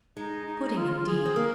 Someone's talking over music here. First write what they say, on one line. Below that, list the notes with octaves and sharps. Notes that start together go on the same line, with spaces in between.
Pudding, indeed!
G#3 D#4
D#4
F4
G#4
C4
A#3 A#4